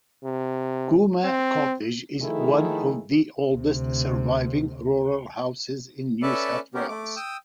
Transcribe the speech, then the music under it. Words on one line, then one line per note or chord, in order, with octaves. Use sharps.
Cooma Cottage is one of the oldest surviving rural houses in New South Wales.
C3
C4
D#3 F3 A3 E4 G#4 A4
D2 C3
C#4 A4 B4 D5 E5 A5
B3 C#4 G4 A#4
A3 D6
G5 D#6 E6